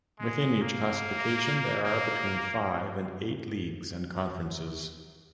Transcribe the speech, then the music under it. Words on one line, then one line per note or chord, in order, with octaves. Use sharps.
Within each classification, there are between five and eight leagues and conferences.
G#3
A#3
A#3